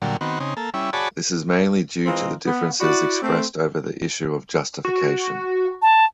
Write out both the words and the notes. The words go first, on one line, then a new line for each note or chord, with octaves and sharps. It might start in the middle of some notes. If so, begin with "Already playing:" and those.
This is mainly due to the differences expressed over the issue of Justification.
A#2 D3 F#3 G3
D#3 B3 C4 F#4
C#3 C4 D#4
A#3 A4
G3 C#4 E4
F#4 G#4 C#5 D5 A5 B5
E3 G#3 C4 F4 A#4 D#5
B3
E4 F#4 D5
A3 C4
F#4
A5